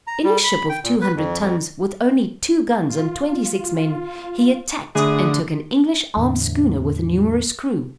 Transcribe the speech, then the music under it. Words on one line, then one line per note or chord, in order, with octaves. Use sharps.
In his ship of two hundred tons, with only two guns and twenty-six men, he attacked and took an English armed schooner with a numerous crew.
A#5
G3
B5
G5
A#2
B4
F2
F2
F4
D3 A3 G#4 D#6
E2 A2 D3